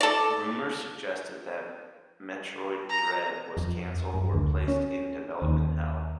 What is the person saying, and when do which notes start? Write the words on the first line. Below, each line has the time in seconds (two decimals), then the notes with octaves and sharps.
Rumors suggested that "Metroid Dread" was cancelled or placed in development hell.
0.01 A4 D5
2.89 A#5
3.57 F2
4.14 F#2
4.34 D2
4.68 C#4
5.42 D#2